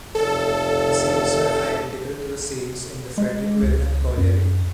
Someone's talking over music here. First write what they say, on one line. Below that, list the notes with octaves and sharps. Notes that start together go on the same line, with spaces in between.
The seams were identical to the seams in the Friedrich Wilhelm colliery.
F1 A4
G#3
C#2
F#2